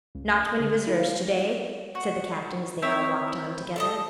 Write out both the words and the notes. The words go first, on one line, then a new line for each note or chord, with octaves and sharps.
"Not many visitors to-day," said the Captain, as they all walked on together.
C#2
D3
E4
F5
F#4
C4 E4 C#5
A4 D5 D#5